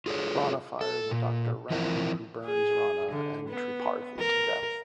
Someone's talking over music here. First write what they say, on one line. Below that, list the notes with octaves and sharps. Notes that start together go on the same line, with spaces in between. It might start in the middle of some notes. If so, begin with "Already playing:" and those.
Rana fires at Doctor Ram who burns Rana and Tripathi to death.
F4 G#4 A4 C#5
A4
A#2
E3 F3 C4 E4 A#4
G#4
D3
B3
A#4